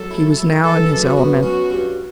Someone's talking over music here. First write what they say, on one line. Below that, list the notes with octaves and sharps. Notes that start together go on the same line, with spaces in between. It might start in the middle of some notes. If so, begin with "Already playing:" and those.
He was now in his element.
Already playing: F#3 A4
E4
E4
E3 A4
F#2
F#4
B3
C#4 F#4
G2